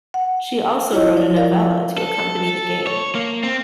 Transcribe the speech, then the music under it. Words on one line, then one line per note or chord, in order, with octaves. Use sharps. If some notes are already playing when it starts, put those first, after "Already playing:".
She also wrote a novella to accompany the game.
F#5
E4 F4 C#5 D#5
F3 D5
A#4 D5 F5
A4
C#5
A#3
C4